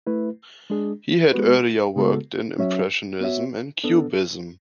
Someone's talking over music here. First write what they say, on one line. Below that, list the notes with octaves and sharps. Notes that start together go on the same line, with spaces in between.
He had earlier worked in impressionism and cubism.
A3 E4 B4
G#3 D4 G#4
G#3 B3 F#4 B4
C#3 G#3 B3 F#4 A4
F#3 C#4 F#4 C#5 E5
B3 F#4 C#5 E5
B3 D4 A4